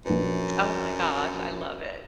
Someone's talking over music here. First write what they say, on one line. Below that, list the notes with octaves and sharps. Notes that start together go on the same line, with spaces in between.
Oh my gosh, I love it.
A#1 F#2 B4